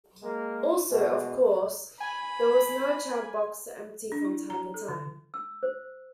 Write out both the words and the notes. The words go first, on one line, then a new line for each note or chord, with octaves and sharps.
Also, of course, there was no "chad box" to empty from time to time.
G#3 A#3
B2 E3 G#3
G#5 B5
D4
E4
A#5
A4
D3
E6
C5